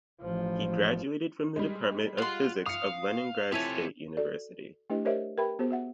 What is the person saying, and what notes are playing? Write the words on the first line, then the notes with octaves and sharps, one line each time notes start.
He graduated from the Department of Physics of Leningrad State University.
A1 F3
G3 G#3
F4 F#4 C6
F5 D#6 C#7
C4 E4 F4 G4 A4 C#5 G#5
F#4 A4 D5
A3 D4 E4 G4 B4 D#5
G4 A#4 C5 C#5 D#5 E5
G4 A#4 B4 E5 G5 B5
B3 F#4 G#4 C5
F#4 E5 F#5